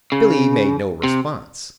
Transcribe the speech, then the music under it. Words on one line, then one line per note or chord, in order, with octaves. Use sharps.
Billy made no response.
C#3
C3